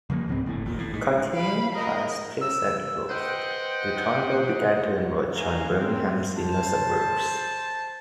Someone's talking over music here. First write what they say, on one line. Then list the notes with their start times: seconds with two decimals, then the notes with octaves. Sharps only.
Continuing past Pleasant Grove, the tornado began to encroach on Birmingham's inner suburbs.
0.10 C#3 F3 A3 A#3
0.28 C#2 G#2 B3 C4
0.46 F#1 A2
0.65 A1 D#2 A#2
0.79 A2
0.94 G#2
1.34 F5 B5
1.73 A#4 D#5
2.41 E6
3.10 B4 C5 D#5 F#5 G5
5.33 C#4 E5 F5 G#5 A#5
5.68 C4
6.35 C5 A5